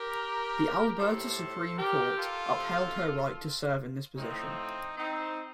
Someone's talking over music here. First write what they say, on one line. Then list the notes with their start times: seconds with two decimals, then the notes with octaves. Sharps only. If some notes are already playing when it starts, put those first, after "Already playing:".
The Alberta Supreme Court upheld her right to serve in this position.
Already playing: G4 A#4
0.98 A2 G3 A4 C5
1.77 G4 A#4
2.18 F4 A4
2.58 C3 F3
4.17 A2 F3 C4 D#4
4.97 C4 D#4